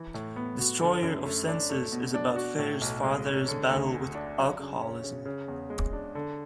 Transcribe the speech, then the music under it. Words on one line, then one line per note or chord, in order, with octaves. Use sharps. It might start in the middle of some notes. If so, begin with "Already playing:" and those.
"Destroyer of Senses" is about Fair's father's battle with alcoholism.
Already playing: E3
A2
B3
F#4
D3
F#2
A3
D4
A3
B2
D4
F#4
A2
B1
G#3
C#4
D3
D2
A3
D4
F#3
C#3
C#4
C#3
C#3
E2
G#3
D4
D3